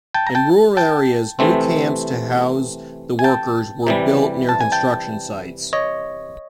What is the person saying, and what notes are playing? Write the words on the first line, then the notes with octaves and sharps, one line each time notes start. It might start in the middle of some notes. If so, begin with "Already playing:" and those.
In rural areas, new camps to house the workers were built near construction sites.
G5 A5
A#5
G5 A5
G5 A5
C3 E3 A3 C4
G#5
G5 A5
C3 E3 G3
A5
G#5
G5 A5
C#5 D#5